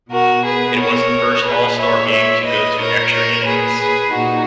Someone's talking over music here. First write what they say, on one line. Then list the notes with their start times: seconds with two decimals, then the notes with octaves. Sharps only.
It was the first All-Star game to go to extra innings.
0.11 B2 F#4 A#4
0.44 G#4 B4
0.78 A#4 C#5
1.45 A#2 G#4 B4
1.79 C#5 E5
2.12 C#5 E5
2.45 B4 D#5
2.79 A#2 A#4 C#5
3.12 A#4 C#5
3.46 G#4 B4
3.79 G#4 B4
4.13 A#2 D#4 F#4